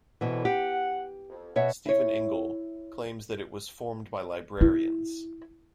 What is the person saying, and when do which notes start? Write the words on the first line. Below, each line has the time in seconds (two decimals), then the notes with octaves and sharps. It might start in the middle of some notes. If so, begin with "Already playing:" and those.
Stephen Ingle claims that it was formed by Librarians.
0.21 C2 B2 D3 E3
0.45 G4 F#5
1.30 F2
1.56 B2 F#4 C#5 E5
1.86 E4 C#5
4.61 E4